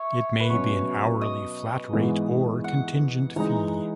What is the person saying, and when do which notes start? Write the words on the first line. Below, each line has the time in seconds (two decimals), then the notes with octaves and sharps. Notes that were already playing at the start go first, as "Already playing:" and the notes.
It may be an hourly, flat-rate or contingent fee.
Already playing: C#5 E5
0.40 B4
0.49 B2 F#3 C#4 C#5
1.21 D#5
1.93 G#2 E3 G#3 B3
2.64 F#5
3.36 E3 G#3 D#4 A#5